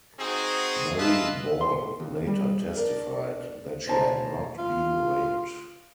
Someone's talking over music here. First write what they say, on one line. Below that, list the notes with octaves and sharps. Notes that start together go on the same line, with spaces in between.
Mary Ball later testified that she had not been raped.
C4 D#4 F#4 G#4
F4 B4 D#5 E5 A5
C6
D#2
G3
D4 A#4 D5
B2 C#4 E4 C5 A5 A#5
F4